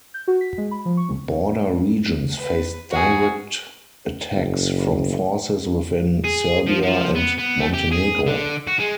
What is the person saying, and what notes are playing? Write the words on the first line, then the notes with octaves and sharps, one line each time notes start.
Border regions faced direct attacks from forces within Serbia and Montenegro.
G6
F#4
B6
G#3
B5
F3
C#6
B4
F#4 G#4
F#1
G#4
F3
F3
B3
B3
A3
G4
G#4
D3
F#4
G#3